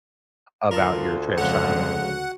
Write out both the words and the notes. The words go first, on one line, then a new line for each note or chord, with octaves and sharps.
about your trans child?
D2 F4 A#4 D5 A5
F2 G#2 C#3 F3 F#5
F2
F#4